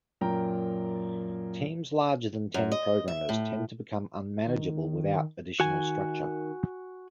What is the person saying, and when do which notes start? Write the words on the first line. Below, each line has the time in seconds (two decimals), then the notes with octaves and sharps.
Teams larger than ten programmers tend to become unmanageable without additional structure.
0.21 F#2 A#2 A#4 G5 A#5
2.54 F#2
2.72 D#5
3.08 E5
3.29 A2
4.47 D#3
5.60 D#3 F#4 G#5